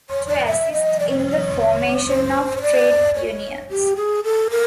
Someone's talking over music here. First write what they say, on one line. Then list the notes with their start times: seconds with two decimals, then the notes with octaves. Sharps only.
To assist in the formation of trade unions.
0.10 C#5
0.27 D5
0.46 E5
0.73 D#5
1.00 D5
1.09 C#5
1.18 C5
1.28 C#5
2.08 C5
2.57 C#5
2.62 D5
3.15 C#5
3.70 G4
3.96 G#4
4.24 A4
4.50 A#4